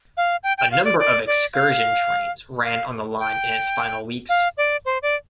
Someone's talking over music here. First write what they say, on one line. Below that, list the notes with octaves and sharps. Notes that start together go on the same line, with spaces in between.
A number of excursion trains ran on the line in its final weeks.
F5
G5
G5
F5
D5
D5
D5
F5
F5
G5
F5
D5
C5
D5